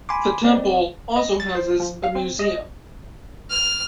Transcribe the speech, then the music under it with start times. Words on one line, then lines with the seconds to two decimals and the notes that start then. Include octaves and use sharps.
The temple also houses a museum.
0.09 G#5 B5 C6 D6
0.44 C4 D5 D#5
1.16 D#5
1.40 A6
1.55 C5
1.80 F3
2.03 F5
2.15 C4
2.39 D#5
3.50 F6